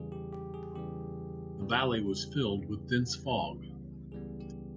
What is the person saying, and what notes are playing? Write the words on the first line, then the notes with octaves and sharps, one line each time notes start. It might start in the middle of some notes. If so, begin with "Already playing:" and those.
The valley was filled with dense fog.
Already playing: E2 C#3 E3 G3 G#4
G4
G4
G#4
E2 C#3 E3 G3 G4
E2 C#3 E3 G3
E2 C#3 E3 G3
C#2 C#3 E3 G3 B3
C#2 C#3 E3 G3 B3 G#4
G4